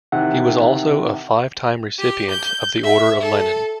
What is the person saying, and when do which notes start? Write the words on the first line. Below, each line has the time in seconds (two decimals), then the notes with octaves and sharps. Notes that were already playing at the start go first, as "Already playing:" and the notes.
He was also a five-time recipient of the Order of Lenin.
0.12 C3 D#3 E3 F#5
1.99 G4
2.31 G6
2.84 E5
3.20 A4